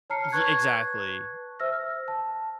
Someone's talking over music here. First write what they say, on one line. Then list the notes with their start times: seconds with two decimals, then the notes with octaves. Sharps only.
ye exactly.
0.10 C#5 A5 A#5 F6 C7 C#7
0.32 B4 A5 C#6 F#6 G#6
1.60 C5 E5 E6 F6 A#6
2.08 A5